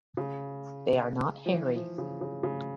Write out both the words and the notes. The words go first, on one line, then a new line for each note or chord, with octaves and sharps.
They are not hairy.
C#3
F3
E3
F3
C#3
C#3
C#3